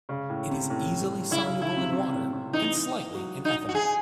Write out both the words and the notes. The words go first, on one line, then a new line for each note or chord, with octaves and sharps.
It is easily soluble in water and slightly in ethanol.
C#3
A2
C3
A2
C#3 E4
C#3
D#3 E4
C3
C3
A2
C3
E3 D#4
F#3
D#4
F#4
G#4